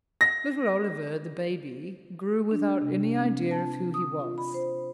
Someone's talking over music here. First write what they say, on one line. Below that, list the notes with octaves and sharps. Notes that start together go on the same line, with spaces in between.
Little Oliver, the baby, grew without any idea of who he was.
A#6
D4
C3
C4
A5
D#6
F4
B5
C5